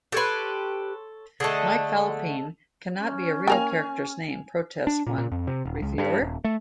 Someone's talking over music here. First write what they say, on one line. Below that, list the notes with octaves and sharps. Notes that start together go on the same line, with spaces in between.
"Mike Fallopian cannot be a real character's name," protests one reviewer.
G4 A4 B4 C#5 C6
D3 A3 G#4 A4 D#5
C#4
A#3 A#4 G5 G#5 F7
D4
A#2
A#2
F2
C3
D#1
C#2
G2
D#1
A3